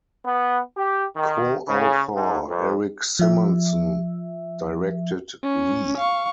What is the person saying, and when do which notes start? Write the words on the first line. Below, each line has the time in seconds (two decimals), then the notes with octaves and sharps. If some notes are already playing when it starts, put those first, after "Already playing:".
Co-author Eric Simonson directed Lee.
0.25 B3
0.77 G4
1.16 D#3
1.68 C#3
2.15 G#2
2.49 F2
3.19 F3 E5
5.43 C#4
5.98 F5 C#6